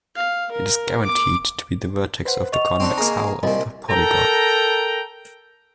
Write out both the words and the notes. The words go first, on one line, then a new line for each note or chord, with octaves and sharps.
It is guaranteed to be the vertex of the convex hull of the polygon.
F5
A#4
D6
B4 C5 F#5
D#5 C#6 F7
C4 D4 D#4
A#3 G#4 A#5
C2 A#2 G3 D#5
A4 A#4 G5 A#5